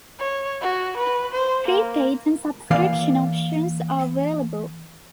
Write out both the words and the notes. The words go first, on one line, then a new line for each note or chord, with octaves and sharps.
Pre-Paid and Subscription options are available.
C#5
F#4
B4
C5
A#3
E3 A#3 D5 F5